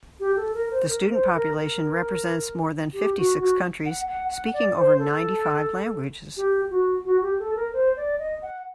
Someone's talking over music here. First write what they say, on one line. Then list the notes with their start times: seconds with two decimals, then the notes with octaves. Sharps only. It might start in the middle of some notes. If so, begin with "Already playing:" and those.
The student population represents more than fifty-six countries speaking over ninety-five languages.
0.20 G4
0.36 A4
0.54 A#4
0.71 C5
0.88 A#4
1.11 C5
1.34 A#4
1.57 A#4
2.93 G4
3.17 F#4
3.39 F#4
3.85 F#5
4.08 F#5
4.31 F#5
4.54 D5
4.77 C5
4.99 A4
6.37 G4
6.70 F#4
7.05 F#4
7.22 G4
7.39 A4
7.56 A#4
7.73 C5
7.97 D5
8.19 D#5
8.42 F#5